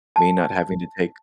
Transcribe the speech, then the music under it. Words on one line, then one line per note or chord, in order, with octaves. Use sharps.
Me not having to take
A5